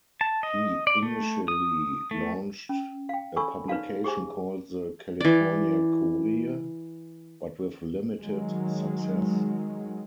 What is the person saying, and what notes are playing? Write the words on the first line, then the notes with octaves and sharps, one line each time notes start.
He initially launched a publication called the "California Courier," but with limited success.
A5
D#5
D5
A3
D#6
A3
C#4
F5 G5
A4 C#5 G#5 B5 C#6 E6
D#4 B4 C#5 D5 F5 A5
G4 G#4 C5 G#5
E3 D5
D#3 F#3 G#3